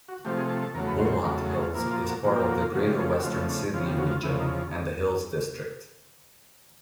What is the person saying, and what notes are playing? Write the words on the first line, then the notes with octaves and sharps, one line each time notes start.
Beaumont Hills is part of the Greater Western Sydney region and the Hills District.
F#4
C3 F3 A3 G4
G#4
A4
A4
E2 C#3 F#3 A3 A#4
B4
C5
C5
E2 C#3 F#3 A3 A#4
A4
G#4
F4
A#2 F3 A#3 E4
F4
F#4
A#2 F3 A#3 F#4
G4
F#4
F4
C#3 F3 A3 F#4
G4
G#4
G4
F#4
C#3 F3 A3 F4
E4
D4
E2 C#3 F3 F4
G4
F#4
F4
E2 C#3 F3 E4
D#4